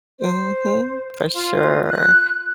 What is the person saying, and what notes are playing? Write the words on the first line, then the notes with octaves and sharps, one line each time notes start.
Mhm. For sure.
C5
F4
F#6